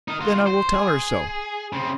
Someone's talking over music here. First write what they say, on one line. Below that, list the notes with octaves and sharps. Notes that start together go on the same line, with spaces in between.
"Then I will tell her so."
D#4 A#4
F4 F#4
C5
G#4
C#3 C4